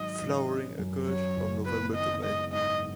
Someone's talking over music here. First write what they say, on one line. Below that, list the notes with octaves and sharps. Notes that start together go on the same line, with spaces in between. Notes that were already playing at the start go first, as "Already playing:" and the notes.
Flowering occurs from November to May.
Already playing: G#1 G#2 F#3 D#5
G#1
C#4
F#2
F#3 C#5
F#1
B3 B4
D#3 D#5
G#3 D#5
G#2 D#5